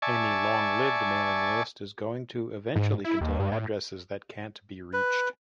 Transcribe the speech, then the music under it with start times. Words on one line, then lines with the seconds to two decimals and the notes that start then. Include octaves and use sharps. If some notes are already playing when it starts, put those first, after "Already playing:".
Any long-lived mailing list is going to eventually contain addresses that can't be reached.
0.02 D5 E5 G#5 A5 C#6
2.76 G#2
3.04 E4
3.21 D#2
3.39 G2
3.52 A2
4.93 B4